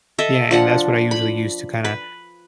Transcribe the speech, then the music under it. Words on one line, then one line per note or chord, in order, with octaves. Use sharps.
yeah, and that's what I usually use to kinda,
A4 D#5 E5
F3 D4 F#5
B5
B4